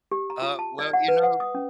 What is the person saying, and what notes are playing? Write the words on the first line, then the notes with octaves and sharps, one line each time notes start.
Uh, well, you know
G4
A#5
F4
A5
D5
F#5
B4
F#5
D#6
C#4